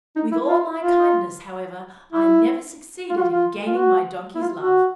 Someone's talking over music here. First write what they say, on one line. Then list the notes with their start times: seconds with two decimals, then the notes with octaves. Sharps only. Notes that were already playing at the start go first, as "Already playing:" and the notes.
With all my kindness, however, I never succeeded in gaining my Donkey's love.
0.16 D#4
0.32 E4
0.48 F4
0.81 F4
2.13 E4
3.10 F4
3.17 F#4
3.21 F4
3.32 F4
3.66 F4
3.76 F#4
4.35 E4
4.41 F4
4.58 F#4